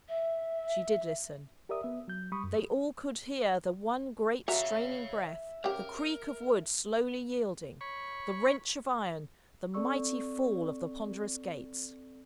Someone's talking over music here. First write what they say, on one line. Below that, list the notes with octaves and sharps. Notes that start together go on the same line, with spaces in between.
She did listen; they all could hear the one great straining breath; the creak of wood slowly yielding; the wrench of iron; the mighty fall of the ponderous gates.
E5
G4 A#4 D5 E5 D#6
B3 E5
F#3 G6
G3 B5 C#6 D#6
F#2
F#4 A#4 C#5 E5 F5 A#5
C#3 G4 A#4
C#5 B5 C#6
C4 A4 D5 C#6 E6